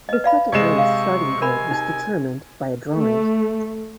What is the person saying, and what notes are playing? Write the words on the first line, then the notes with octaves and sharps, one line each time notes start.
The second race starting grid was determined by a drawing.
B4 D#5
D5 F5 B5
C3 G#3 D5 D#5 C#6 E7
F5
A#4 G#5 B5
D#4
A3